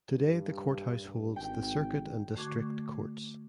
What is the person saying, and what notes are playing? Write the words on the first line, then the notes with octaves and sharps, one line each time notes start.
Today the Courthouse holds the Circuit and District Courts.
G2
G#1 G5
D3 A3 F#4 C#6 D6 G#6